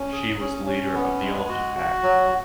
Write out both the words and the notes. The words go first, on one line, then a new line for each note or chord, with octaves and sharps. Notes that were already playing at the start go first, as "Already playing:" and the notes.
She was the leader of the elephant pack.
Already playing: C#4
G#4
C#4
C#4
B3
G#3
F#4
F#4
F#3